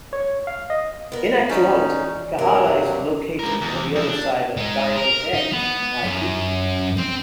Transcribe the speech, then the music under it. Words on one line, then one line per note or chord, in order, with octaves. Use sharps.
In actuality, Kahala is located on the other side of Diamond Head from Waikiki.
C#5
F5
D#5
B3 A#4
E3 C#4 D#4 D5
G2 C3 F#3 A#4
G#3 A#4
E2
F2 E4
D4
G#3 D#4
A#4
D#4
B3
F#2
C4